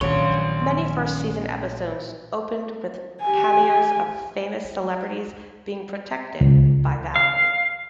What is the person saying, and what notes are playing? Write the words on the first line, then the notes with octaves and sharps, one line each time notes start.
Many first season episodes opened with cameos of famous celebrities being protected by Vallery.
A#1 F#2 D#3 C#4 F#4 C#5 C6
G4 G#5
C#2
F5